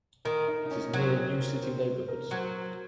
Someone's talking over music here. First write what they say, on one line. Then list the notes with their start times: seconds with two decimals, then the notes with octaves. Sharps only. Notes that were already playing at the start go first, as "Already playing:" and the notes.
It is near new city neighborhoods.
0.25 D#3 A#4
0.48 D#4
0.66 D#4
0.71 C#4
0.94 F#3 C4
1.01 C#4
1.09 C4
1.16 C#4
1.40 A#4
1.62 C5
2.08 A#4
2.31 F#3 C5